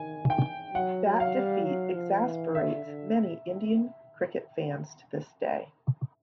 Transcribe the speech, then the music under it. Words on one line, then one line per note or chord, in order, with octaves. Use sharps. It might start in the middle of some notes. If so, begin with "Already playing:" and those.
That defeat exasperates many Indian cricket fans to this day.
Already playing: D#3 G#5
G5
F#3 F#5
F#3
F5
G3
F#3
F3
E3
D3 E5
D3